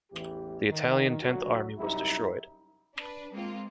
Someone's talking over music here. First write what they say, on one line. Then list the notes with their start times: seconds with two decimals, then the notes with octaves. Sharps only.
The Italian Tenth Army was destroyed.
0.12 A1 E2 E3 G4
0.70 D#3
1.22 D2 D3 F#3 F#4
1.77 C2 F#2 D#4 E4 G4
2.97 D4 B4
3.32 G#3 A#3 C4 F4